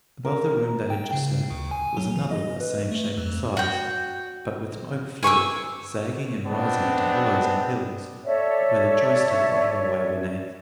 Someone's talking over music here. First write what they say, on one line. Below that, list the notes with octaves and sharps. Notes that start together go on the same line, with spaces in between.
Above the room they had just left was another of the same shape and size, but with an oak floor, sagging and rising into hollows and hills, where the joist had rotted away beneath.
A#4
G5
C#3
D2
G#5
F#3
E3
D#5
B4
A3
F2
F#4 G5
G#5 C#6 D6 E6
G#3 B3 C4 D4
A4 C#5 D5 E5